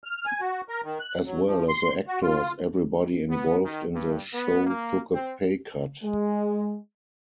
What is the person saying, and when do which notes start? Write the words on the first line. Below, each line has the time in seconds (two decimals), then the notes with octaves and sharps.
As well as the actors, everybody involved in the show took a pay cut.
0.04 F6
0.26 G#5
0.41 F#4
0.69 A#4
0.84 D#3
1.00 F#6
1.27 F#3
1.47 F3
1.68 C6
2.08 F#4
2.22 F4
3.30 B3
3.64 D#3
3.94 G2
4.34 B3
4.67 A#3
5.14 C4
6.03 G#3